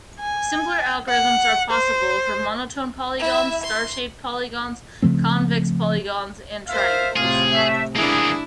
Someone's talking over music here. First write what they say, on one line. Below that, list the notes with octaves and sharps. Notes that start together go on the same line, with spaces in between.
Simpler algorithms are possible for monotone polygons, star-shaped polygons, convex polygons and triangles.
G#5
F#5
C5
E4 E5
C6
C#3 F3 A3 C4
F4 A#4 C5 E5 F5
A2 C3 F4 G#4
A3 E5
E3 A#3 B3 D4 E4 G#4